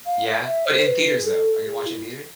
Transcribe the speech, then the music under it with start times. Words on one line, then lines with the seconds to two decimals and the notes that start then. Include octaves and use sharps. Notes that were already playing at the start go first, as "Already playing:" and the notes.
Yeah. But in theaters, though, are you gonna watch in theaters?
0.06 F5
0.46 E5
0.66 C5
0.86 B4
1.18 G#4
1.25 A4
1.66 G#4
1.86 E4